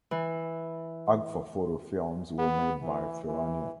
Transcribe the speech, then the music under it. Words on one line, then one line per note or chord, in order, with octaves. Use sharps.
AgfaPhoto films were made by Ferrania.
E3
B3
E3
E3